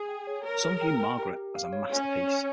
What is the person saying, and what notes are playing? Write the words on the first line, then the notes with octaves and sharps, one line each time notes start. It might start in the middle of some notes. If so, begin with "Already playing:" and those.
Some view "Margaret" as a masterpiece.
Already playing: G#4
G5
C#5
A#4 C#5
G#4
G5
G5
G4
G4
F5
C#5
C#4 C#5
C#5
C#5